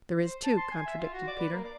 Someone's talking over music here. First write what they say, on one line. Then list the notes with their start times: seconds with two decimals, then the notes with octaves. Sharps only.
"There is too," contradicted Peter.
0.24 C5
0.44 A5
0.57 C6
0.71 G#5
0.86 E5
0.98 F4
1.13 F#4
1.27 D5
1.39 B4
1.52 A#3
1.64 D5